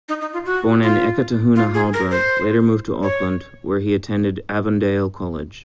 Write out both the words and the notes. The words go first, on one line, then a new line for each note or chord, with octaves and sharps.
Born in Eketahuna, Halberg later moved to Auckland, where he attended Avondale College.
D#4
D#4
F4
F#4
F4
F4
G#4
A#4
C5
C#5